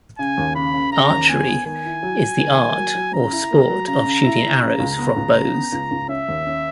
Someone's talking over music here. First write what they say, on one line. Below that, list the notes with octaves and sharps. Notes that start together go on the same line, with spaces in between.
Archery is the art or sport of shooting arrows from bows.
C#3 G#5
D#2
C#3 B5
C#3
C#3 A#5
D#2
B3 G#5
B3
D#3 G#5
E4
F#3
F#3
D#3
A#3
F#3
F#3
C#3 A#5
E4
A#3
F#3
C#3 A#5
C#3
E4
E4
C#3 A#5
C#2
B3
C#2
C#3
B3
C#2
C#2
C#4 E5
D#2
C#4